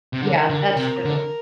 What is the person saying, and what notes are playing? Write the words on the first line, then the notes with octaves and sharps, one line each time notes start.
Yeah, that's true.
C3
D3 A#4
D3
C3
D3